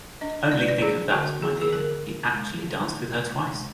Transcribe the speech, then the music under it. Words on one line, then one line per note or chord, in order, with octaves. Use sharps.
Only think of that, my dear; he actually danced with her twice!
D4 D#5
G#3 D5
B4
D5
D4 G#4
D3 F#4
B3 G#4
G#4
D3 A#4
G#3
G#3
D3
D4
G#3
G#3